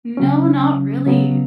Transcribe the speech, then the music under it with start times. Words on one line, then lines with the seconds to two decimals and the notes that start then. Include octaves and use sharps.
No, not really.
0.17 C#3 F#3 C#4
1.07 C#3 F#3 B3